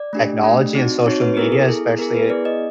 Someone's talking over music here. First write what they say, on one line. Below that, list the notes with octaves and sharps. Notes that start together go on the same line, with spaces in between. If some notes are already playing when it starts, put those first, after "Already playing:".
technology and social media, especially, uh,
Already playing: D5
A3 D4 G4
A3 D4 G4
C4 D#4 F#4
C4 D#4 F#4 C#5
B4
B3 E4 G#4 A#4
A4
B3 E4 G#4
B3 E4 G#4 A#4
B4
B3 E4 G#4 D5
D#5